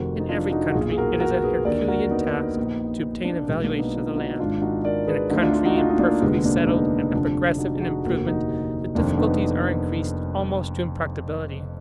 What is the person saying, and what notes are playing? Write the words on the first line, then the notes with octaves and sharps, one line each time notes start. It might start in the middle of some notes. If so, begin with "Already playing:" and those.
In every country it is a herculean task to obtain a valuation of the land; in a country imperfectly settled and progressive in improvement, the difficulties are increased almost to impracticability.
Already playing: F1 F2 D#3 F#4 A#4
D#4
D4 F4
D#4 F#4
F#4
B1 A#2 F4 G#4
G#4
F#4 A#4
F#4 A#4
G#4 B4
D#2 D3 A#4 D5
F#4 A#4
B3 D#4
A#1 A#2
A#3 D4
B1 B2 G#3 B3
A#3 D4
B3 D#4
D4 F4
D#4 F#4
G#1 G#2 D#3 D4 F4
D#4 F#4
A#4 D5
G#4 B4
D2 D3 D#4 F#4
D4 F4
D4 F4
D#4 F#4
D4 F4
D#4
A#3 D4
F1 D#2 D3 G#3 B3
A#3 D4
B3 D#4
F1 F2 D3 D4 F4
D#4 F#4
G#4
D#4 F#4
F1 D#2 D3 F#4 A#4
D#4 F#4
F1 F2 D#3 A#3 D4
B3 D#4